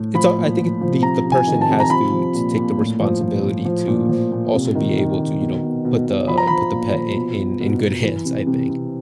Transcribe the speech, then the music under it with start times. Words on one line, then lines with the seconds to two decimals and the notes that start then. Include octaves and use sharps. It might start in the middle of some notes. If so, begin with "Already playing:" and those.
it's, uh, I think the the person has to to take the responsibility to also be able to, you know, put the put the pet in in in good hands, I think.
Already playing: A2
0.15 F3 B5
0.38 A#2
0.60 F3
0.81 F3
1.03 C3 A#5
1.25 C3
1.32 G#5
1.47 D#3
1.61 A5
1.69 C3
1.80 A#5
1.90 F3 B5
2.12 F3
2.34 A#2
2.56 A#2
2.78 A2
3.00 F3
3.21 F3
3.44 A2
3.65 F3
3.88 A#2
4.09 F3
4.32 A#2
4.53 C3
4.75 D#3
4.97 D#3
5.19 D#3
5.41 B2
5.63 B2
5.85 B2
6.06 B2
6.28 F3 B5
6.38 A#5
6.47 F3 B5
6.73 A#2
6.94 F3
7.16 B2
7.38 B2
7.60 B2
7.81 B2
8.04 E3
8.25 C3
8.47 C3
8.69 C3